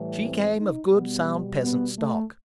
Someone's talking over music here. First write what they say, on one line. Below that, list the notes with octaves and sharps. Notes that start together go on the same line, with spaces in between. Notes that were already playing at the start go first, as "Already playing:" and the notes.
She came of good sound peasant stock.
Already playing: A2 E3 G3
C4
D#4
B2 G3 B3
B3
A3